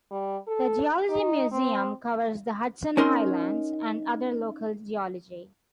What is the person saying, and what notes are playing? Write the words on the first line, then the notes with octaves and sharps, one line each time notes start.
The Geology Museum covers the Hudson Highlands and other local geology.
G3
A4
D#4
C4
C#4 D#4 A#4 D#5 C6